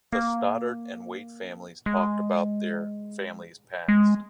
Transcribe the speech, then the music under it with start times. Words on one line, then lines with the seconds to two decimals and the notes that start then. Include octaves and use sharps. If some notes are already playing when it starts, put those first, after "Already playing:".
The Stoddard and Waite families talked about there families past.
0.13 A#3
1.86 G#3
3.88 G#3